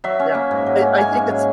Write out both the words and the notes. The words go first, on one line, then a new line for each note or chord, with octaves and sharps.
Yeah, I I think it's
F#3 E5
C#4
A#3
G#2
F#3
C#4
A#3 G#5
G#2
F#3